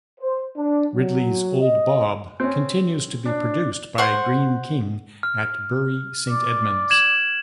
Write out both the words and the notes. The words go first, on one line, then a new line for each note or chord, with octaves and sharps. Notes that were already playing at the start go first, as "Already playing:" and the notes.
Ridley's Old Bob continues to be produced by Greene King at Bury Saint Edmunds.
C5
D4
F#3
D#5
C4 C#4
D4
C5 F#5 C#6
F6
D5
G#6 E7 F#7